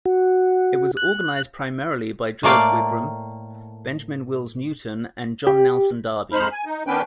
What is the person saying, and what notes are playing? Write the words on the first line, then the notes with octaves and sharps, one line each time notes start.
It was organised primarily by George Wigram, Benjamin Wills Newton, and John Nelson Darby.
F#4
F#6
A2 A3 A#3 D5 F5 G5
G4
F2 G#3 D#4 C5 B5 F6
G#5
D#4
D#3 B3 C#4 D4 B4 G5